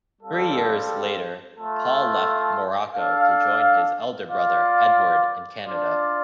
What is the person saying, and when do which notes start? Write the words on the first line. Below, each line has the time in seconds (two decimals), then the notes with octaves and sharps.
Three years later Paul left Morocco to join his elder brother Edward in Canada.
0.21 G3 C4 A4 F5
1.57 A3 F4 A4
2.93 D4 A4 F5
4.28 F4 D5 F5
5.64 D4 F4 D5